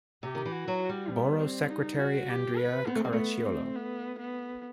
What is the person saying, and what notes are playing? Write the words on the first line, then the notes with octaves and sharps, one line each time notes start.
Borough Secretary-Andrea Caracciolo.
C3 G4
D#3
E3
F#4
F#3
F#4
G3
B3
C4
D#4
F#4
G4
B4
B3 C4
A3
G3
A3 B3
C4
B3
B3